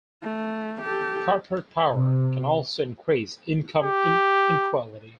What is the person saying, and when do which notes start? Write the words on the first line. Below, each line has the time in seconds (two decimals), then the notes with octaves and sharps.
Corporate power can also increase income inequality.
0.22 A3
0.82 G4 A4
1.93 C3
3.83 G4